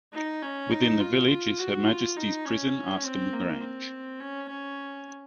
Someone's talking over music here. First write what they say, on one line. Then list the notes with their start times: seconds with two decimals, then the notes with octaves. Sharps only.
Within the village is Her Majesty's Prison Askham Grange.
0.13 D#4
0.43 C#4
0.72 D#4
1.00 F4
1.30 F4
1.59 F#4
1.88 F4
2.16 D#4
2.45 C#4
3.04 C4
3.33 A#3
3.61 C4
4.20 C#4
4.49 C#4